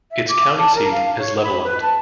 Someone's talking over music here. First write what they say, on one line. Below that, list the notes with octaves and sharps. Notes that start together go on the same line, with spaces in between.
Its county seat is Levelland.
E5
D6
A5
A#4
F5
C#5
B5
B4
A5